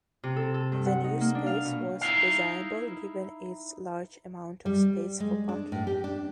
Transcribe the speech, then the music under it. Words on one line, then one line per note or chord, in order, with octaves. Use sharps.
The new space was desirable given its large amount of space for parking.
C3
A4
A4
G2
F#5
D#4
A#3
D4
F5
B2
D#4 E4 F5
G3
G#3
D4
A2
G4
D4